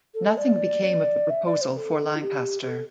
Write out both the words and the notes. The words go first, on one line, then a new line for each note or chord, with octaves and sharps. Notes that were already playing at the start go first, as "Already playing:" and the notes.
Nothing became of the proposal for Lancaster.
A4
D5
E5
D5
C5
A4
E4
G4
G4
A4